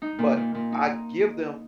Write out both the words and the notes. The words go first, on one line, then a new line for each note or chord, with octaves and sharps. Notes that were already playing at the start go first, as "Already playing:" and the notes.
but I give them
D#4
A#2
A#2
A#2
D#4